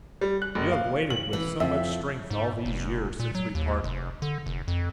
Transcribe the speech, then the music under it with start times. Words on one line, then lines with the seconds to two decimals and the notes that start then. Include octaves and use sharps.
You have waited with so much strength all these years since we parted.
0.21 G3
0.42 F#6
0.55 F#1
0.71 F5
1.10 F#7
1.33 E3
1.60 F2 E5
2.30 G#2
2.65 F1
3.20 A#2
3.35 F#3
3.55 D#2
3.84 F1
4.22 D3
4.46 F1
4.68 F2